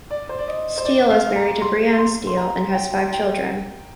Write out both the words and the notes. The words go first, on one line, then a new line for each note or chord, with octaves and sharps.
Steele is married to Brianne Steele and has five children.
D5
C5
D5
D#5
C5
D5
F5
A#5
C6
C6
C6
A#5
G5
G5